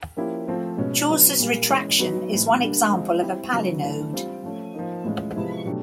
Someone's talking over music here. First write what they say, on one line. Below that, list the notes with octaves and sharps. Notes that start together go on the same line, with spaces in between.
Chaucer's Retraction is one example of a palinode.
F3 A#3 C#4 E4 G4
F3 A3 C4 F4
B2 G#3 C#4 F#4
D3 F#3 B3 D4
A#2 G3 A#3
E3 G#3 C#4
F#3 B3 D#4 F#4
A2 E3 G3 C4 D#4
D3 G3 A#3 D4
F3 G#3 C4
G3 C4 E4 G4
C#3 F#3 B3 D#4
E3 A3 D4
G3 C4 F4
F3 A3 C#4
F3 A#3 D#4
A2 E3 G#3 C#4 F4
C3 F3 G#3 B3 E4
B2 F#3 A3 D4 G4